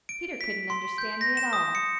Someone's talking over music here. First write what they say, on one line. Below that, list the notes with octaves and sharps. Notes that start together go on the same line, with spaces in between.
Peter couldn't understand me at all.
D7
B6
C6
G6
A#6
E7
D#6
C#7